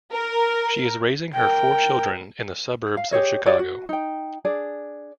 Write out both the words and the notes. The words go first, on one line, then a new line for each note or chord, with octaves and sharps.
She is raising her four children in the suburbs of Chicago.
A#4
A#4 G5
F5
G4 G#4 C#5 D#5
F#4 G4 C#5 D5
F#4
D#4 G5
D4 G#4 D5